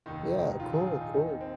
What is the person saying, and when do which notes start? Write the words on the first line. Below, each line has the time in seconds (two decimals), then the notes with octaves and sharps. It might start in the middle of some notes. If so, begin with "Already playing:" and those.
Yeah, cool, cool.
0.06 F1 D#2 D#3 D#4
0.60 A#1 G#2 D#3 F4
0.73 G#4
0.87 F4
1.01 D#4
1.14 D#2 D#3 D#4
1.41 C4